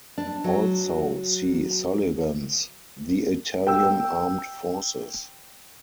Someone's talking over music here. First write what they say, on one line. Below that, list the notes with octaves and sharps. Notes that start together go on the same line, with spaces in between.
Also see Sullivan's "The Italian Armed Forces".
D4
F#3
G5 E6